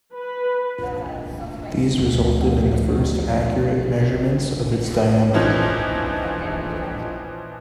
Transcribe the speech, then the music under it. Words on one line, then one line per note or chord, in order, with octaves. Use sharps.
These resulted in the first accurate measurements of its diameter.
B4
D2 F3
A#2 E3 F3 C#4 D#4